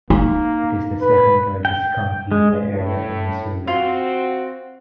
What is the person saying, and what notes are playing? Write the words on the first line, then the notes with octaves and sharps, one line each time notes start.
It is the second-largest county by area in Missouri.
A#3 D#4
B4
G5
G#3
A2
C4 F4 F#4 C6